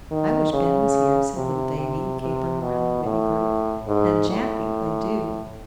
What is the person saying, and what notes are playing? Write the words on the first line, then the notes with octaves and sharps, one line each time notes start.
"I wish Ben was here," said little Davie, capering around the Whitney group, "an' Jappy, I do!"
D#3
C#3
C3
C3
C3
B2
A2
G#2
A2